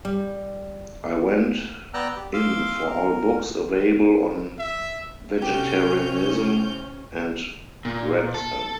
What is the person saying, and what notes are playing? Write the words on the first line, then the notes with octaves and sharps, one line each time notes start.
I went in for all books available on vegetarianism and read them.
G3
B3 D5 G5 A#5 E6 F#6
G4
F5 C6 D6 E6
A#4
E5
C3 C4 C#4 F#4 G4 A4 F6 G6
A#2
A4